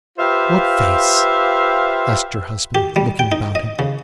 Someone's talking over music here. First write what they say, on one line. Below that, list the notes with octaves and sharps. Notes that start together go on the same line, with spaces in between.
'What face?' asked her husband, looking about him.
F4 G4 B4 C5 E5 F5
G4
G3
G5
D#4
D#5
C#3